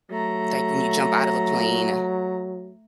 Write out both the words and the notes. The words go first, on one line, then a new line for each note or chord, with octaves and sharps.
like, when you jump out of a plane
F#3 A3 A#5